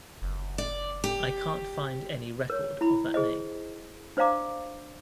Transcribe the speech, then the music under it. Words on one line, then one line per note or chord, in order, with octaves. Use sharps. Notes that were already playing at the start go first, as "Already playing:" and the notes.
I can’t find any record of that name.
F#1
D5
G4
A#4 C#5
E4 B5
G#4 C5 D#5
D4 C5 D5 F5 A#5 D6